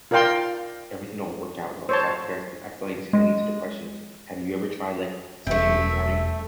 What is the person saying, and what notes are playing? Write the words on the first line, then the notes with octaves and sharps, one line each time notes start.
"Everything don't work out well." So I can guess I feel like this can lead to the question, like, have you ever tried, like, something in the morning
F4 A#4 D5 F5 G5 C6
C5 C#5 A5
G#3
E1 A3 C4 E5